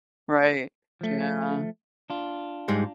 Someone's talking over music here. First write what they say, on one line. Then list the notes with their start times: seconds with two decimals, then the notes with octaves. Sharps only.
Right. Yeah.
1.01 F3 A3
2.10 D4 F4
2.68 G#2 G3 G#3